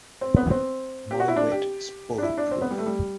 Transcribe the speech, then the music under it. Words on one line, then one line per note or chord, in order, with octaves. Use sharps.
My wit is bullet-proof.
C4
B3
C4
G4
F#4
E4
D4
G4
D4
E4
D4
C4
B3
G3
A3
G3